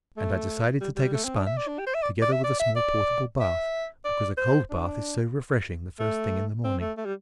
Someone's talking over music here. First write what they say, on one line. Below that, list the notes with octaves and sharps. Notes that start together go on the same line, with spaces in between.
And I decided to take a sponge, together with a small portable bath, because a cold bath is so refreshing the first thing in the morning.
A3
G3
G3
A3
C4
D4
E5
D5
D4
G4
C5
E5
D5
D5
E5
D5
E5
D5
E5
D5
C5
D4
A3
C4
A3
A3
G3